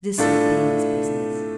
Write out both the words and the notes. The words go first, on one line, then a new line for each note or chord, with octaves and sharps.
This had been his business.
A2 A3 D4 F4 A4